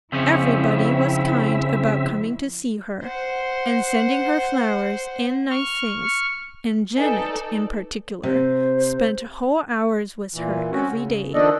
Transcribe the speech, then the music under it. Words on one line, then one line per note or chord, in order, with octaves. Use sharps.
Everybody was kind about coming to see her, and sending her flowers and nice things, and Janet, in particular, spent whole hours with her every day.
F2 C#3 F3 C4 C#4 E4 E5
C5 F#5
C#6 F6
D#4 A4 B4 D5 D#5 G#5
C3 C5
A#2 E3
C4 C#4 F#4
C#3
D#3 F3 D4 A4 D5 D#5